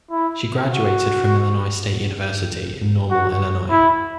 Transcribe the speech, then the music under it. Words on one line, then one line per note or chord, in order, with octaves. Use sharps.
She graduated from Illinois State University in Normal, Illinois.
E4
F#4
F#4
E4